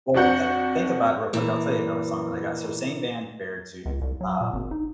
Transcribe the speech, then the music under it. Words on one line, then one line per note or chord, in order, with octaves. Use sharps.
Well, thi think about it real quick. I'll tell you another song that I got. So same band, Beartooth, um,
F2 D4 F#4 F#5 G6
A#2 E3
C#2
C2
F#3
A#2
G#1
D#4